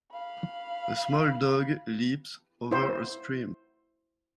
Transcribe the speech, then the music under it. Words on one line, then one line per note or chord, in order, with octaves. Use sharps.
A small dog leaps over a stream.
F5 B5
E4 C5